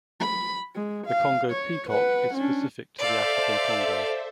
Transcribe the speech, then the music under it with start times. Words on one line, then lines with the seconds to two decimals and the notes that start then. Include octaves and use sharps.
The Congo peacock is specific to the African Congo.
0.20 B5
0.75 G#3
1.06 F5
1.51 C#5
1.89 B4 F#5
2.34 C#4 D4
2.98 A4 C5 D5 E5 F5